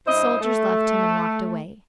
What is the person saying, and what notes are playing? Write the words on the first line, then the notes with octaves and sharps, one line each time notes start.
The soldiers left him and walked away.
G2 E4 C5 D#5
A3